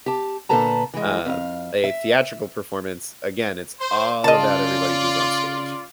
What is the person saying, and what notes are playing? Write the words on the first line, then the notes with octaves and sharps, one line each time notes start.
um, a theatrical performance, again, it's all about everybody who's on stage.
G4 A5
A#2 D3 A4 B4 A5 A#5
E3 G#3
F2 F5
E5
C5
C#3 F4 D5 D#5 A5